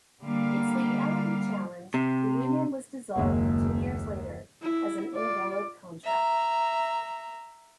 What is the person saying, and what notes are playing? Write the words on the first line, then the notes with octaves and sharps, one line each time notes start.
Its legality challenged, the union was dissolved two years later as an invalid contract.
D3 G3 A#3 F5
C3
F#1 D#2 G#3 A#3
E4
F4 D5
E5 A#5